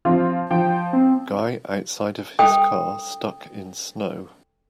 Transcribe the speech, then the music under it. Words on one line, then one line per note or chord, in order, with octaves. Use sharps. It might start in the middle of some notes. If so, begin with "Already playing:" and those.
Guy outside of his car stuck in snow.
F3 C4 F4
F3 G5
C4
A4 G5 D#6